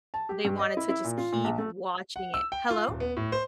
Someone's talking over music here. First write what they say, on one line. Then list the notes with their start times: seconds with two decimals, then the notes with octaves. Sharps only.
they wanted to just keep watching it Hello?
0.14 A5
0.29 G4
0.45 G2
0.59 D#5
0.77 E4
0.89 E4
1.04 A#2
1.18 F4
1.32 A#2
1.44 A#1
1.58 A3
2.16 F#5
2.34 E6
2.52 G5
2.70 F4
2.88 D#1
3.00 B3
3.17 A2
3.32 C5